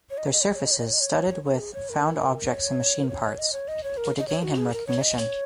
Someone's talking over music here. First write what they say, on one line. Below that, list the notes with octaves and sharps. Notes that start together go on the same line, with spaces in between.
Their surfaces, studded with found objects and machine parts, were to gain him recognition.
C#5
D#5
C#5
D#5
C#5
D#5
C#5
D#5
C#5
D#5
C#5
D#5
C#5
C#5
C#5
A#4
G#4
C#5
A#4
C#5
A#4
C#5
D#5
C#5
D#5
C#5
A#4
D#5
C#5
F#4
G#4
A#4
C#5
D#5
C#5